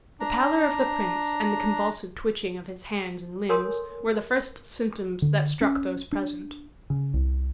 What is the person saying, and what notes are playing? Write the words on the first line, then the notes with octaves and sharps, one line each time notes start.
The pallor of the prince, and the convulsive twitching of his hands and limbs, were the first symptoms that struck those present.
D4 A#5
A4 A#4 C#5 G#5 C6 D#6
D3
C#4
D4
C#3
C2